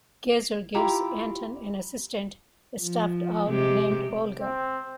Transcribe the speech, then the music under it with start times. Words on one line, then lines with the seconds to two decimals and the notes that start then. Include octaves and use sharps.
Geser gives Anton an assistant, a stuffed owl named Olga.
0.74 E4 F4 G4 A#5
2.81 F3
3.48 C3 G#3 G4
4.40 C4